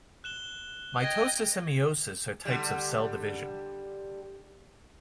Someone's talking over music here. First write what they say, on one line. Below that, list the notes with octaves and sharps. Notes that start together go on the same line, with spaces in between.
Mitosis and meiosis are types of cell division.
F#6 E7 G7
D#5 G5 G#6 A#6
D3 G3